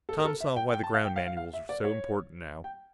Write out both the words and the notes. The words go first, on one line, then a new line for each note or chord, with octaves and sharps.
Tom saw why the ground manuals were so important now.
A4
A#4
A4
E5
G5
G5
A5
F5
G5
F5
F5
F5
E5
D5
C#5
G5